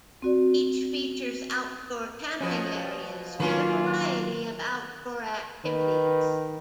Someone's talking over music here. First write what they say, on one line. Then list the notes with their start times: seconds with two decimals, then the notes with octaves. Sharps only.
Each features outdoor camping areas with a variety of outdoor activities.
0.22 C4 F#4 D5
2.41 B2 F3 C#4 B4
3.40 D#3 F#3 A#3 C#4 D4 F4 B4
5.65 D#3 B4